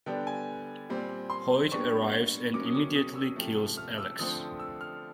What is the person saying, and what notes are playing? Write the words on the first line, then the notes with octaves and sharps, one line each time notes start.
Hoyt arrives and immediately kills Alex.
D3 G3 B3 D4 G5
G#5
A#2 G3 C4
C6
A#2 G3 B3 D4 C#6
B2 F#3 A#3 C#4 D6
D#6
D6
D#6
E6
C3 F3 A3
F6
E6
D3 F3 A3 C4 D#6
E6
F6